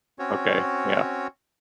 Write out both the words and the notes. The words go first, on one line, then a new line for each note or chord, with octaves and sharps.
Okay, yeah.
C4 C#4 F#4 C#5